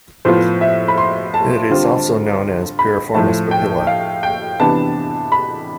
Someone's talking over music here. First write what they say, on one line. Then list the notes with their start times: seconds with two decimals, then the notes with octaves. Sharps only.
It is also known as piriformis papilla.
0.25 A2 F3 B3 F4 C5
0.61 E5
0.88 B5
0.98 C6
1.34 A5
1.70 D3 G3 C4 F4
2.79 B5
3.14 A2 F3 A3 A5
3.51 G5
3.87 F5
4.23 G5
4.60 C3 E3 B3 D4 A5
5.32 B5